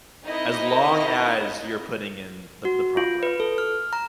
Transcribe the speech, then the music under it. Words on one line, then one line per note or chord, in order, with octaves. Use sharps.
as long as you're putting in the the proper effort.
C4 D#4 E4 A#4 D#5
F#4
F4
B4
A4
F6
A#5